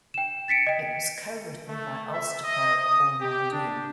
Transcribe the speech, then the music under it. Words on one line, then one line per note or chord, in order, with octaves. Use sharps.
It was co-written by Ulster poet Paul Muldoon.
G5 E7
A6 B6 C#7 D7
D#5 G5
A3
E5
D#5
D#6
G4
D4